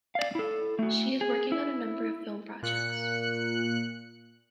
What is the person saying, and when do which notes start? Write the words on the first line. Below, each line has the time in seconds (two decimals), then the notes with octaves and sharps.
She is working on a number of film projects.
0.15 D5 F5
0.35 E4 A4
0.79 A3 F#4
1.21 G#4
1.52 E4
2.63 A#2 F#6 C#7